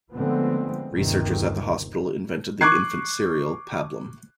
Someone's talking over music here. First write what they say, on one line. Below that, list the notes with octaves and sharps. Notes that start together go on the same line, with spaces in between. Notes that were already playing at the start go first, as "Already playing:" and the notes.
Researchers at the hospital invented the infant cereal, Pablum.
D3 F3 G#3 A3 B3 C4
G1 D#2 C3 D#3
C#6 D6 F#6 G#6 C7